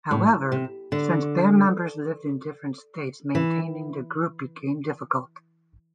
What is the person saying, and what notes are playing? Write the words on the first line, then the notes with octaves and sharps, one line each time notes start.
However, since band members lived in different states maintaining the group became difficult.
A2
C3
D3
E3